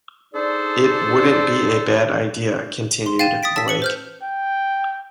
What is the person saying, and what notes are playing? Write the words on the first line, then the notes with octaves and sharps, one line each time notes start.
"It wouldn't be a bad idea," continued Blake.
D4 D#4 G#4 A4 C5 D5
C6
F5 G5 A6 D#7 E7
D#6 A6 B6 D7
A5 E6 B6
B4 C#7 F#7
C5 F6 G6
G5